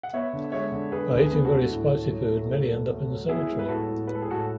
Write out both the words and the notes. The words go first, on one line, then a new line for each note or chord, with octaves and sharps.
By eating very spicy food, many end up in the cemetery.
F#5
B3 C#5 E5
D3
G#3 C#5 E5
D3
D3 G#4 B4
D2
G#4 B4
B3
F#4 A4
D2
A2
A3
F#3
A3
A3
F#3
A3
F#3
B3 E4 G#4
G#3
B4
A2 F#4 A4
A2
G#3 B4
A4
G#4
A2 F#4 A4